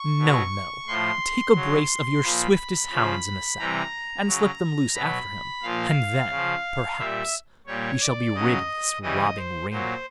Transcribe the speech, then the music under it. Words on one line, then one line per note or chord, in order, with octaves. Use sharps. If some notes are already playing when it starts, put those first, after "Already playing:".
No, no; take a brace of your swiftest hounds in a sack, and slip them loose after him; and then, perhaps, we shall be rid of this robbing Reynard.'
Already playing: C#6
B2 F#3
A2 F3 C6
C#3 F#3
A#2 F3 B5
C#3 F3
C3 E3 G3 A#5
C#3 F#3
B2 F#3 B5
A#2 F3 F5
C#3 F3
A#2 G3 E5
A#2 G3 C#5
D5
C#3 F#3 D#5
C#3 E3 G3 D#5
C5
A#2 F#3 C5